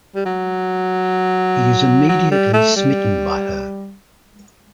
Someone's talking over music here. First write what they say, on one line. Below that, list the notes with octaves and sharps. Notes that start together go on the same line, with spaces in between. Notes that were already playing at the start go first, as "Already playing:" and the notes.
He is immediately smitten by her.
G3
F#3
F#3
G3
A3
G3